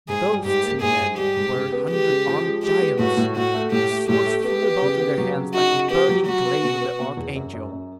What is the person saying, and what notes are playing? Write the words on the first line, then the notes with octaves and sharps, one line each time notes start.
But those two men were hundred-armed giants; the swords flew about in their hands like the burning glaive of the archangel.
G#2 G#4
G3
G#2 G4
A#3
G#2 G#4
G#2
G3 G4
G#2
C#3
B3
G#3 G4
C#3
F3
G#3
G#3 G4
B3
A2 F#4
A2
A2 F#4
A3
A2 G4
A3
A2 G4
A3
B3 G4
B3
C#3
B3
F#3
C#3
D#4 F#4
C#3
B3 G4
F#3
F#3 F#4
B3
B2
B3
B2
E2
F#2
F#2
F#2